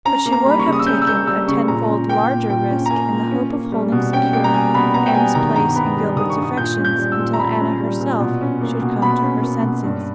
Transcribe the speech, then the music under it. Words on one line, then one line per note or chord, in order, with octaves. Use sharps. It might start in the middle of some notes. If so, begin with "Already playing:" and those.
But she would have taken a tenfold larger risk in the hope of holding secure Anna's place in Gilbert's affections until Anna herself should come to her senses.
C#4 A#5
A#3
A#5
G3 B5
C#6
C#3
D#6
E6
C#4 G6
E6
A#3 G6
G3 E6
C#3 C#6
A#2 A#5
C#4
A#3 G5
A#2
A#2 G5
C#4
A#5
A#3 G#5
A#2
C#4
A#3
G3
B2
C#4 G5
A#3 G5
A#5
G3 G#5
B2 B5
B3 A#5
G5
G3 G#5
D#3 A#5
G2 A#5
B3 B5
G3
D#3 D#6
C#6
G2
D#6
A#2 G6
C#4
G6
G3
E6
A#2
A#5
A#2 B5
C#4
G3
A#2
B2
C#4
A#3
B2
B2 B5
C#4
A#3
B2
G2